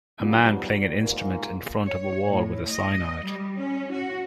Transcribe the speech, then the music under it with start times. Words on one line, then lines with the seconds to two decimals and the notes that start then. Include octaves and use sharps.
A man playing an instrument in front of a wall with a sign on it.
0.20 G#2 F#3 G3 B3 F4
1.00 G#2 A#3
1.86 C#5
2.27 A2
2.70 D#5
3.22 G3
3.58 C#4
3.92 F#4